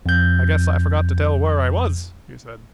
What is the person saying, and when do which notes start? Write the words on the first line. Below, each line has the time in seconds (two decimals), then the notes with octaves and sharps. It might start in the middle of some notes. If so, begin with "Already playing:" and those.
"I guess I forgot to tell where I was," he said.
0.06 F2 G6